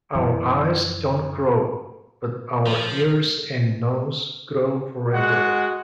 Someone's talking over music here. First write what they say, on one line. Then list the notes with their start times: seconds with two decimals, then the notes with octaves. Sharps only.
Our eyes don‘t grow, but our ears and nose grow forever.
0.15 F#2 E3
2.66 F3
5.14 G#3 F#4 F#5